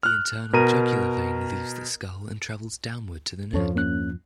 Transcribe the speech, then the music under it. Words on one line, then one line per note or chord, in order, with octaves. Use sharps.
The internal jugular vein leaves the skull and travels downward to the neck.
F6 F#6
B2 A#4 A#5 D#7
E2 G2 F3 C#4 A4 C#5
A#3 C#4 F#6